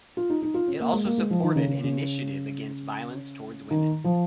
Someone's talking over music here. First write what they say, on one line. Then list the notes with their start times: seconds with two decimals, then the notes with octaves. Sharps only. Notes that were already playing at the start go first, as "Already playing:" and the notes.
It also supported an initiative against violence towards women.
0.17 F4
0.30 D#4
0.42 D#4
0.54 F4
0.68 C#4
0.80 A#3
0.93 G#3
1.05 A#3
1.18 G#3
1.31 F3
1.43 D#3
1.56 C#3
1.68 C#3
1.84 C#3
3.71 D#3
4.04 F3